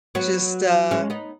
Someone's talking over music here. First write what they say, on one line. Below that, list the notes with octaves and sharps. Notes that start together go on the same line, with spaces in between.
just, uh
F#3 B3
G#3 C#4
B3 D#4